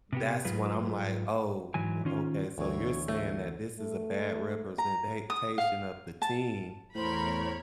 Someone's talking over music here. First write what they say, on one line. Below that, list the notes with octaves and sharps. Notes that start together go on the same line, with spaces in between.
that's when I'm like, "Oh, okay. So you're saying that this is a bad representa tion of the team,
C3 B3 G4
G#2 F#3 F4 G#4 B4
G#2 E3 F#3 G#5
D#3 C#4 F4
D2 E3 C4 C#5
A3
A3
A#5
D#6
F5
A5
E2 A2 A#4 C5 C#5 B5